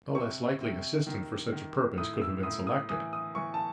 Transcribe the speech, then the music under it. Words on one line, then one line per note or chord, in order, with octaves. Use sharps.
No less likely assistant for such a purpose could have been selected.
C3 C#6
C3
D#3
D#3
A2 D#6
E6
A2 D#6
D#6
E3 D#6
D#6
E3 C#6
A5